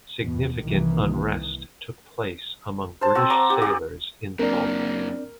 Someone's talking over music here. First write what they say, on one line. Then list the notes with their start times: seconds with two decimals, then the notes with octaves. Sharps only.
Significant unrest took place among British sailors in the Baltic.
0.20 E2 B2
0.62 C2 D#3 E3 A#3
3.01 C5 A5
3.15 C4 F#4
3.30 D5 A#5
3.50 G4
3.62 F#4 G4
4.39 F#2 A#3 C4 D4 A#4 D5